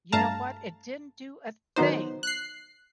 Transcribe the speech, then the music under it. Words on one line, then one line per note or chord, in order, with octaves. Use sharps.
You know what? It didn't do a thing
G2 A3 F5 A5 A#5
D#3 F#3 B3 D#4 C5
F#6 C7